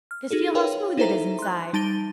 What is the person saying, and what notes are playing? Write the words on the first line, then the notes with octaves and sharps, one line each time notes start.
"Just feel how smooth it is inside!"
F6
D#4 F#4 G#4 A4
A#4 B4 C#5 F5 G5
D#4 E4 A4 C5 E5 A#5
C6 F#6
G3 D#4 A5 A6 D7 G7